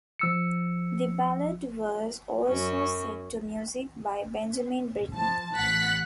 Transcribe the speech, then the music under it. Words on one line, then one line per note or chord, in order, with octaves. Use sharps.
The ballad was also set to music by Benjamin Britten.
F3 E6 C#7
F#2 F#3 C#4
F3 A5
A1 F#5 F#6 A6 B6